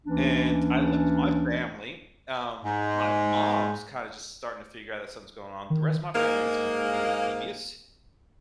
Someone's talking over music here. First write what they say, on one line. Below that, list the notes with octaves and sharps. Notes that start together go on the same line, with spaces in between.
and I looked to my family. Um, my mom's kinda just starting to figure out that something's going on. The rest of my family is completely oblivious,
D2 E3 A#3 C#4 D4
G#2
D#3
G#2 G#3 A#3